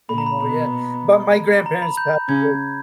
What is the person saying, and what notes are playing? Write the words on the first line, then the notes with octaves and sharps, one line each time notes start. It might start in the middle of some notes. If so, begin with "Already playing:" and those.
anymore, yeah. But my grandparents passed away.
A#2 A#3 B5
A#5
B5
B2 B3 B5
A#5
B5
G6
C#3 C#4 G#6